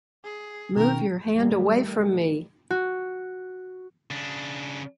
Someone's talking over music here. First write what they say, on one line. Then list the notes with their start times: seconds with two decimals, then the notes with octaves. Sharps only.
Move your hand away from me!
0.24 G#4
0.77 B2 D#3 C#4 A#4 G5
1.35 D#3 G3 A3
2.70 F#4
4.11 C#3 D4